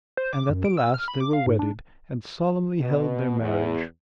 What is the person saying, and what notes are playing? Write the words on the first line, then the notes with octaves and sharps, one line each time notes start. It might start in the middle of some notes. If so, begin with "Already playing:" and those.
And at the last they were wedded, and solemnly held their marriage.
C5
D6
F#2
D7
E6
F6
B5
D6
F5
G#2
D4
B2
E2